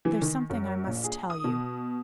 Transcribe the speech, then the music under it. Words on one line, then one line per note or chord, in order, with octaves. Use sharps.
'There's something I must tell you.
E3
D#3
F#2
A#1
G#4
D#6
B2